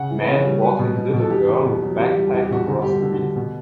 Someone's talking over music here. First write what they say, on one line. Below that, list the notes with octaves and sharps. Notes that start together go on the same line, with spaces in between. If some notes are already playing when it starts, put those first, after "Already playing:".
Man walking little girl with backpack across street.
Already playing: C#3 F#5
E3
B4
C#3 C#5
G3
F#3 B4
B2
B2
B2
A4
E2 G4
E2
B2
F#3
E2 G4
G3
E2 F#4
G4
B2 F#4
D3
G2 G4
F#4
D3
F#4
D3
B2